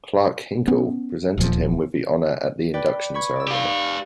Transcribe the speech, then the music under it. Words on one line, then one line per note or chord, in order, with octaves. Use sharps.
Clarke Hinkle presented him with the honor at the induction ceremony.
B3 C#4
D1 D#2 A#2 F3
B4 D5 G5
B5 C#6 G#6
D5 E6
G4 F5